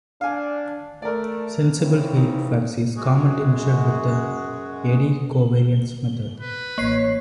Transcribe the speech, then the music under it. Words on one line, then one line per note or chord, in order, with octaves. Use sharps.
Sensible heat flux is commonly measured with the eddy covariance method.
D4 F5 G#5
A3 A#4 D5
C#3 E3 C4
D#4
F#2 G#3 F#4 G#4
B4
A1 A#3 C#5 C7